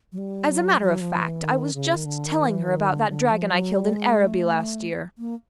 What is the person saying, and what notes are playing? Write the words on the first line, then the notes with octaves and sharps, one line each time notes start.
"As a matter of fact I was just telling her about that dragon I killed in Araby last year."
F#3
G3
F#3
F#3
F3
E3
D#3
C#3
D#3
D3
D#3
E3
D#3
D3
D3
F3
F#3
G3
G#3
A3
A#3